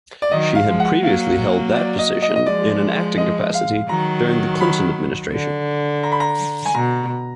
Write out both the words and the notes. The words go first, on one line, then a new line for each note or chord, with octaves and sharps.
She had previously held that position, in an acting capacity, during the Clinton administration.
D5
D#3 F#3 D#5
F5
F3 G#3
F#5
F#3 A#3 F5
D5
D#5
D#5
D#5
F3 G#3 D5
D#5
F5
D#3 F#3 A#5
B5
D3
A#5
B5
A#5
G#5
B2 A#5